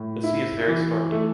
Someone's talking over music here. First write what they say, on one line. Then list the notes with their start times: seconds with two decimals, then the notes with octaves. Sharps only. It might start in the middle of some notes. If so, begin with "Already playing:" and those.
The sea is very stormy.
Already playing: A2
0.24 E4
0.68 E3
1.12 A3